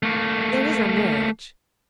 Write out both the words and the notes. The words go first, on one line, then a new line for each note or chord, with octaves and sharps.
There is our marriage....'
A3 A#3